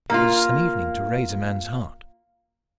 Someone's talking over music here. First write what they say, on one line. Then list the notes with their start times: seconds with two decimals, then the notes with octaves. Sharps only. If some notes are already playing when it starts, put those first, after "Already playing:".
It was an evening to raise a man's heart.
0.10 A#3 F4